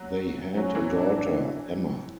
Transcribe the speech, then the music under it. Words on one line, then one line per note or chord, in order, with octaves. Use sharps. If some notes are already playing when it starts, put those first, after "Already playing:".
They had a daughter, Emma.
Already playing: F#3
F#3 C#4
E3
D4